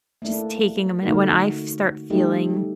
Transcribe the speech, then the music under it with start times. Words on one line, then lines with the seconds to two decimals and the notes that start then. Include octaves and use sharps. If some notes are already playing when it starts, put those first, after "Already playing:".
just taking a minute. When I f- start feeling
0.22 A3 A#3 D4 E4
1.03 D3 A3 D#4 F#4 A#4
2.10 G3 A3 D#4 G4 A4